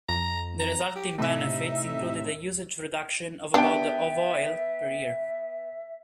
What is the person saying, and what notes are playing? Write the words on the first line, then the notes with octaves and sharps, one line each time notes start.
The resulting benefits included a usage reduction of about of oil per year.
F2 A#5
A#5
G4
A2 C3 D#4 E5
B3 D4 G4 E5 G5